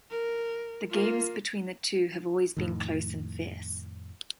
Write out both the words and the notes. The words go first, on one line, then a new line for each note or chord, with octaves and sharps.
The games between the two have always been close and fierce.
A#4
A#3 F4
F2 A2 D#3